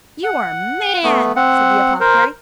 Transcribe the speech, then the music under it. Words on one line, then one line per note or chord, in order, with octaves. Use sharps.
'You are mad!' said the apothecary.
F#5
A3 B3
C4 F#5
A#4 C5